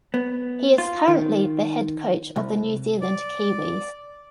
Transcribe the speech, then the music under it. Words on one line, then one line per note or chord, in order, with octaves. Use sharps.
He is currently the head coach of the New Zealand Kiwis.
B3
F4
D#3
C2
D5